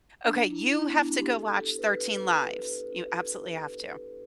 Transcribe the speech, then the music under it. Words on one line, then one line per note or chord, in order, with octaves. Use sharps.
Okay, you have to go watch Thirteen Lives. You absolutely have to.
D4
E4
E4
D4
B3
D4
G4
A4
A4
A4
B4
B4
B4